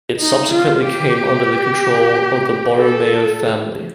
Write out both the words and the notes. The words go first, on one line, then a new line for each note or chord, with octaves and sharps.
It subsequently came under the control of the Borromeo family.
D#4
F4
G4
A4